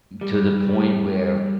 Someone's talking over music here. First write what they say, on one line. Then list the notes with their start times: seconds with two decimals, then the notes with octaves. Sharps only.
to the point where
0.21 G3